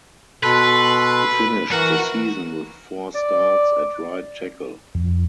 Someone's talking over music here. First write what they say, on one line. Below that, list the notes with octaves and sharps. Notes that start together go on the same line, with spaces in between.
He finished the season with four starts at right tackle.
B2 A4 B4 C6
E3 F#4 A#4
D5
F2